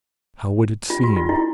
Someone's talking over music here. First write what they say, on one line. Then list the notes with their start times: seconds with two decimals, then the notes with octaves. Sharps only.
How would it seem?
0.90 F4
1.03 F#4
1.16 F4
1.29 E4